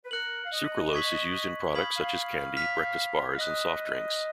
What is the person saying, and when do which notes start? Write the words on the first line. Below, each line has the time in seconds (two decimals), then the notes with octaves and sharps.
Sucralose is used in products such as candy, breakfast bars and soft drinks.
0.05 B4
0.11 A#4 F#6 C#7 F#7
0.45 F5
0.52 D#5
0.93 C#6 G#6 B6 F#7
1.74 F5 B5 D#6 G#6 B6 F#7
1.97 F5
2.57 F6 B6 F7
3.30 F5
3.38 D#5 D#6 F#6 A#6